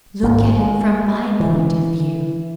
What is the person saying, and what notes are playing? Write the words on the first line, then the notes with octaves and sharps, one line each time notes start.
Look at it from My point of view.
G#1 A#3
G#3
E3